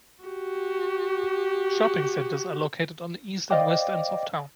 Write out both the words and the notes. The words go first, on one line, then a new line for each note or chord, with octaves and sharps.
Shopping centers are located on the east and west ends of town.
F#4 G4
C5 D5 D#5 F5 G5 D6